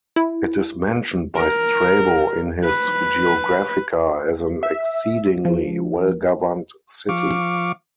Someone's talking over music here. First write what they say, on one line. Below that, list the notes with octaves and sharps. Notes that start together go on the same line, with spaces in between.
It is mentioned by Strabo in his "Geographica" as "an exceedingly well-governed city".
E4
A#4
B4
E5
F3
F3 F5 C#6 D6